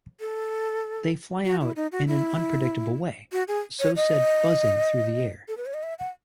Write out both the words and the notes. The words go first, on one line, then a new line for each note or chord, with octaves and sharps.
They fly out in an unpredictable way; so-said buzzing through the air.
A4
F#4
E4
D#4
F#4
E4
F#4
G#4
C#5
D#5
A4
B4
C#5
D#5
E5
F#5